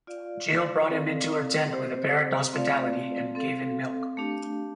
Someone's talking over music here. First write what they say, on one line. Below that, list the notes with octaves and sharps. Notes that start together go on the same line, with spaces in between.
Jael brought him into her tent with apparent hospitality and gave him milk.
F4 D5 F5
C4 A4 D5 F5
C4 G4 C5
A3 C4 F4 D5 F5
C4 A4 F5
A3 D4 G4 F5